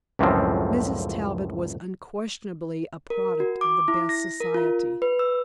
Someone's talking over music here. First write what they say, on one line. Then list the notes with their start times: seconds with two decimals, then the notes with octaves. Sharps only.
Mrs. Talbot was unquestionably a product of the best society.
0.19 C#2 F#2 A2 D3 F3 C4
3.10 A#4
3.40 F#4
3.61 D6
3.88 E4
4.09 A#6
4.40 A#4
4.54 F4
5.02 B4
5.19 E6